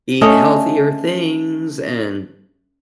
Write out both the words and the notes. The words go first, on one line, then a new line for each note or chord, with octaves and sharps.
eat healthier things, and,
A3 C#4 D#5